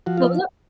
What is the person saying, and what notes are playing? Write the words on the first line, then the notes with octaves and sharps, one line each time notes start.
What was that?
F3 F#4
F4